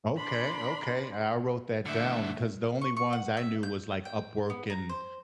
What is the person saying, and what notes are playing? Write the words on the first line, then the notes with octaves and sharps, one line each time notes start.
Okay, okay, I wrote that down because the only ones I knew was like Upwork and
D4 B5 C6
D3 E3 A3 D4 E5
C#6
C#6
F#5
E5
G6
G5
B3
A#5
C5